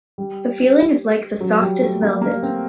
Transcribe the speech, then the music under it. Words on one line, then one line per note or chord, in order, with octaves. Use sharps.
The feeling is like the softest velvet.
G3
F#3
G3
A3
A#3
A#3
C4